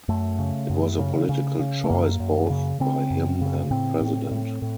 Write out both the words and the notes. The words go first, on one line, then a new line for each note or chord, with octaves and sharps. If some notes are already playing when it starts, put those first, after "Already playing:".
It was a political choice both by him and president.
F#2 A3
C#3
F#2
C#3
C#3
C#3
A3
F#2 A#3
F#2
C#3
C#3 C4
F#2
C#3
A2 C4
A2
A2
A2